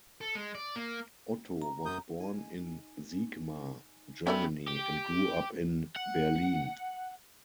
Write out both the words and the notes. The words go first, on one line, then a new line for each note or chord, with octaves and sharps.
Otto was born in Siegmar, Germany, and grew up in Berlin.
A4
G#3
D5
A#3
A#5
F#2 D#6 G6
D#4 G#5
B3 C#4 G4 A4 D5 E5 G#5 B5
G4
F#5